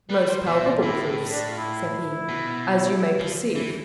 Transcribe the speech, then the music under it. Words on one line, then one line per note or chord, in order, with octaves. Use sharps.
"Most palpable proofs," said he, "as you may perceive."
G3 B4
C5
B2 C5
D5
F4
A2 E4
D4
F4
E4
B2
F3
E3